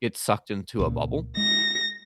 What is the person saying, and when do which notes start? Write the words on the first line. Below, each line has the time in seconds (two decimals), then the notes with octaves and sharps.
get sucked into a bubble.
0.79 C#2 A#2
1.37 G#3 A#6